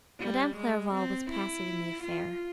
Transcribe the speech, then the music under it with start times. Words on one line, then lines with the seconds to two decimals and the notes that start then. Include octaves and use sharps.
Madame Clairval was passive in the affair.
0.19 G3
0.57 G#3
0.93 C4
1.30 E4
2.03 F4